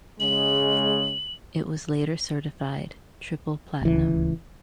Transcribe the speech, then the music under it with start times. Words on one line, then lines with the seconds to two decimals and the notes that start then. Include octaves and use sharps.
It was later certified triple platinum.
0.20 C#3 G#3 F#7
3.81 D1 C#2 E3